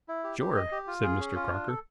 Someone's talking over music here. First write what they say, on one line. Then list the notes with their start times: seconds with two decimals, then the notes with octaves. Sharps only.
"Sure," said Mr. Crocker.
0.08 E4
0.24 G4
0.40 G4
0.56 D#5
0.72 G4
0.87 F4
1.04 G#4
1.20 C#4
1.36 F4
1.52 D4
1.67 A4